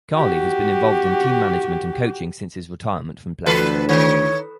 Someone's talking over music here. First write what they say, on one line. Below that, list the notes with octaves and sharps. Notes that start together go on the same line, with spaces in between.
Carley has been involved in team management and coaching since his retirement from playing.
F#4 G4
D2 E3 A4 B4
D#3 C#5